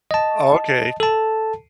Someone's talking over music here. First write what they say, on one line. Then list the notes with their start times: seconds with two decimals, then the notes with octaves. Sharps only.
Oh, okay.
0.11 D#5 A5
1.00 A4 A5